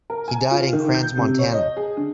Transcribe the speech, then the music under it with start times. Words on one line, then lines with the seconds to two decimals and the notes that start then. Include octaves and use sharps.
He died in Crans-Montana.
0.10 A#4
0.28 G#5
0.51 F4
0.73 D#3
0.94 G6
1.17 C3
1.39 C#5
1.54 D#5
1.77 G#4
1.97 D3